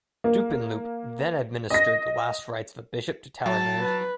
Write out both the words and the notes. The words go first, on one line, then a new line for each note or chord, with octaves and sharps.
Dupanloup then administered the last rites of a bishop to Talleyrand.
A#3
D#5 A#6
F#3 A5
B4